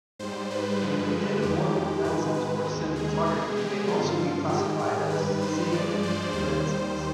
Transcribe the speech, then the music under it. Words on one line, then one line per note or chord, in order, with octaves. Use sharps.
Anamorphic lenses for cinematography may also be classified as cine lenses.
G#2 G3 C5
B4
G2 D3 F3 G#3
F2 D#3 G#3 G4
G#2 D#3 G#3 B4
B4
D#2 D#3 G#3
G#4
B2 G#3 G#4
G4
G2 D3 F3 F4
F4
G#2 D#3 G#3 G4
G#4
G2 D#3 G3 B4
C5
G2 F3 G#3 D5
C5
D#2 D#3 G3 C5